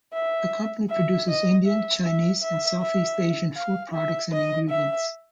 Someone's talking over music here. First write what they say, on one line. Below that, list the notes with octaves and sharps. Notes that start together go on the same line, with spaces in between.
The company produces Indian, Chinese and South East Asian food products and ingredients.
E5
E5
D#5
E5
E5
E5
E5
F5
E5
D#5
E5